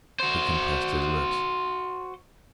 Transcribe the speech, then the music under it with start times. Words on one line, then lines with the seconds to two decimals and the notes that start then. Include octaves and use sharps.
He compressed his lips.
0.20 F#4 C5